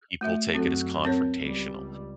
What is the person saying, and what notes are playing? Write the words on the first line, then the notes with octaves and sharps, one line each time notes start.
people take it as confrontational,
A3 F#4 E5
F#2 F#3 C4 F#4 A4
C4 A#4 C#5
C#2 G3